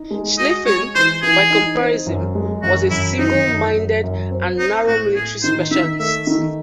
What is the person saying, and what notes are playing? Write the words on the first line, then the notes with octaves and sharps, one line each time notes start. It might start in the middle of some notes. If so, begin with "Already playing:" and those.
Schlieffen, by comparison, was a single-minded and narrow military specialist.
Already playing: D#4
G#3
F#4 D#5
G#3 C#5
E3 C5
E3 G#4
D#4
C4
F#2
G#3
F#2 F#4
F#2 E4
D#3 D#4
F#2
F#2
F#2
C4
C4 D#4
A2 F#4
A2 G#4
D#3 C5
D#3 E5
A3 E5
D#3